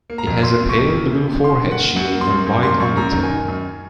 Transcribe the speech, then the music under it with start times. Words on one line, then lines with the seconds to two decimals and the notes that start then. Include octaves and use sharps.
It has a pale blue forehead shield and white undertail.
0.10 A#3
0.18 A#5
0.27 F2
0.43 A#3 C6
0.60 C3
0.69 C#6
0.77 F2
0.94 A#3
1.10 C3
1.28 C3
1.44 D#3 C6
1.62 D#3
1.71 F#5
1.79 A#3
1.96 F#2 F#5
2.12 A#3
2.21 C6
2.30 F#2
2.47 F#2
2.63 A#3 C6
2.80 F#2 C#6
2.97 F#2 A#5
3.14 D#3
3.23 G#5
3.31 D#3
3.48 F#2